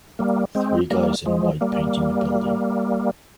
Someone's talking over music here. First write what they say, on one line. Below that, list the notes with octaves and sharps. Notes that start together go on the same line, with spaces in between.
Three guys in white painting a building.
G3 A#3
G#3 C4
G3 A#3
F3 G#3
G3 A#3